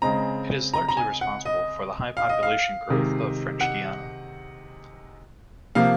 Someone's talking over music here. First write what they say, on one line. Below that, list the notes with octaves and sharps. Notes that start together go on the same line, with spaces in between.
It is largely responsible for the high population growth of French Guiana.
C#3 G#3 C4 A#5
A#5
A#5
G#5
F#5
D#5
F5
D#5
F5
C3 D#3 G#3
F#5
C3 F3 A#3 F5